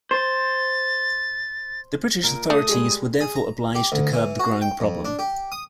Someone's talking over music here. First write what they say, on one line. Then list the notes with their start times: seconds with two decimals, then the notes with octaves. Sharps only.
The British authorities were therefore obliged to curb the growing problem.
0.11 C5 A6
2.23 A#2 A#4
2.50 A3 D#6
2.69 G3 G#3 G#4
3.21 G#4
3.36 A#5
3.75 G4
3.92 D2
4.13 E3
4.39 F#4
4.62 G5
4.80 F2
5.05 D4
5.19 G4
5.52 D#6